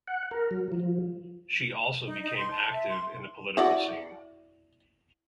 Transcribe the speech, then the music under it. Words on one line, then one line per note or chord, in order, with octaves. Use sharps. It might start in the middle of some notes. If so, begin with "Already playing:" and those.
She also became active in the political scene.
F#5
A#4
F#3
F3
D#4
D#4
C6
A5
E5
C6
E4 F#4 D5